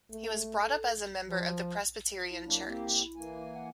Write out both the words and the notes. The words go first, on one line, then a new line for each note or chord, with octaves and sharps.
He was brought up as a member of the Presbyterian church.
A3
A4
F3
E4
F#3 A#3 D4
A#3 C4 G4
E3 A#3 G#5
F#5